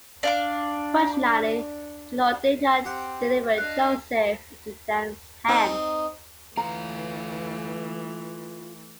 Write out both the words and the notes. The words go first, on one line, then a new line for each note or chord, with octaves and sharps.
Fortunately, the Lord did not deliver Joseph into Dan's hands.
D4 F5 D6
C4 G4 F#5 G5
D4 D#5 F5 F#6
C4 D#4
E3 A3 F4 B4 F5 A#5